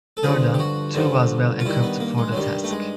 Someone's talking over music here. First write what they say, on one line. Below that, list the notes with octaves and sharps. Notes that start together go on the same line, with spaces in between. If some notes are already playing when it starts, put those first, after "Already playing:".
Jordan, too was well equipped for the task.
A4
G2 D3 F3 G#4
G4
F#4
G2 D3 F3
F4
G2 D#3 E4
B3
A#3
G#3
F#3
G2 D#3 G3
A3
G#3